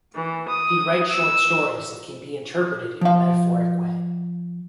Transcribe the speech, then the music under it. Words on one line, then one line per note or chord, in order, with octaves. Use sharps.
He writes short stories that can be interpreted in a metaphoric way.
E3
D#6
E6
F3 F5